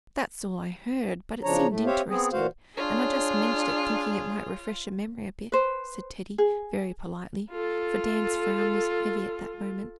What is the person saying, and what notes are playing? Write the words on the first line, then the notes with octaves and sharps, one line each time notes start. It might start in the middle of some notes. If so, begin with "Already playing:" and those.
'That's all I heard; but it seemed interesting, and I just mentioned it, thinking it might refresh your memory a bit,' said Teddy, very politely; for Dan's frown was heavy at that moment.
E2 C#3 F3 D4 C#5 A#5
A2 A3
C4 G4 C5 C#5 E5 F5
B3 C4 G#4
A#2 E3 F#4 C5 F5
D4 F4 G#4 C#5
B4 C5
G#4
F4 A4